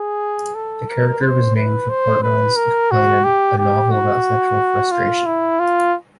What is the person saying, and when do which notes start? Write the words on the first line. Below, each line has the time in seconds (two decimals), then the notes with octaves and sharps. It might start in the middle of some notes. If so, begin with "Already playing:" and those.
The character was named for "Portnoy's Complaint", a novel about sexual frustration.
Already playing: G#4
0.55 A4
0.89 A#4
1.22 C5
1.56 B4
1.89 C5
2.22 B4
2.56 A#4
2.91 F#4
3.24 G4
3.58 G4
3.91 F#4
4.91 F4
5.26 E4
5.59 F4